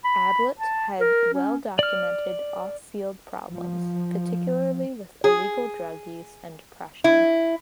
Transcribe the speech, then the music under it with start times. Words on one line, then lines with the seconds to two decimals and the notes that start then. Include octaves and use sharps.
Ablett had well-documented off-field problems, particularly with illegal drug use and depression.
0.04 B5
0.59 A5
1.01 A#4
1.33 C#4
1.79 D5 F6
3.53 F3
5.24 G#4
7.04 E4